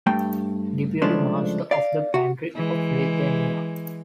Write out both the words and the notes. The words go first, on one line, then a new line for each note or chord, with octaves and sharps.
Deputy Master of the Pantry of Lithuania.
G2 A3 G5
G2 C#3 F3 G#3 A3 D4
D5 F5
F#4
E3 G#3